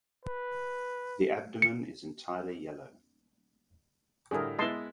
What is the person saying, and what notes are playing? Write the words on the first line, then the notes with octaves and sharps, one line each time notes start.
The abdomen is entirely yellow.
B4
C#7
A2 D3 G3 G#4 A#4
G#3 B3 E4 D#5 A5 C6